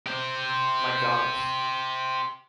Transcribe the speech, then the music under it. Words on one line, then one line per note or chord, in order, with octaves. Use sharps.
My goddess.
G4 C5